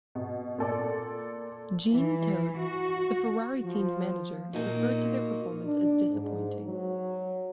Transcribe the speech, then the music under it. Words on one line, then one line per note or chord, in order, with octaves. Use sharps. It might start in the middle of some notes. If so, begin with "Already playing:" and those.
Jean Todt, the Ferrari team's manager, referred to their performance as "disappointing".
B2
A#2 A4 D5
E3
F#4
F3
A#2 A#3 D#4 F#4
D4
G#2
F#3